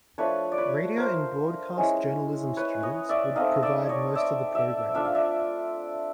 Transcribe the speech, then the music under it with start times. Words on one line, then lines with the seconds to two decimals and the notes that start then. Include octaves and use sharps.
Radio and broadcast journalism students would provide most of the programming.
0.18 F3 A3 D4 B4 C#5
0.52 D5
0.58 B4 C#5
0.98 A#4 C5
1.78 G#3 C#4 E4
2.57 B4 C#5
2.83 C#5 D#5
3.09 D5 E5
3.36 A3 C4 D#4 D#5 F5
3.63 D5 E5
3.83 D5
3.89 C#5 D#5
4.15 D5 E5
4.55 D5 E5
4.94 A3 D4 F4 E5
5.05 F5
5.15 D5 E5